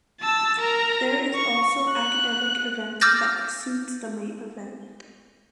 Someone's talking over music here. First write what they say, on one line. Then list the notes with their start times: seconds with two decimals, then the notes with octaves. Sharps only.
There is also academic event that precedes the main event.
0.21 A5 E6
0.60 A#4 A#5
1.35 C#6
1.91 F#6
3.01 D6 E6 F6 G6 A6 A#6